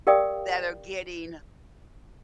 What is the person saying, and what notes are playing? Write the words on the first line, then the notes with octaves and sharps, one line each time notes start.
that are getting
G4 A#4 D5 F5 G5 D#6